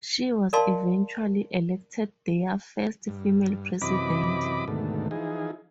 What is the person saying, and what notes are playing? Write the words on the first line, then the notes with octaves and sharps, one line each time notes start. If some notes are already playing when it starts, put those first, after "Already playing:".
She was eventually elected their first female president.
A#4 D5 D#5 F5 A5 C6
G2
F#2 C3 E3 D#5 B5 D6
D#2 G#2 B2 D3 A3
E3 F3 D#4 G#4